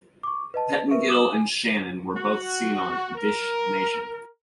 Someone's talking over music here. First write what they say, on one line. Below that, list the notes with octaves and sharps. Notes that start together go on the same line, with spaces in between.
Pettengill and Shannon were seen on Dish Nation.
C#6 D6
B4 D#5 A5
A#4 B4 E5 C#6
D6 D#6 E7 F#7 G7
G#5
F#4
A#4